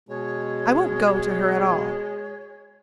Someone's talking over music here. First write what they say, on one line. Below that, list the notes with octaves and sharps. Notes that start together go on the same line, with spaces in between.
I won't go to her at all.
B2 G#3 C#5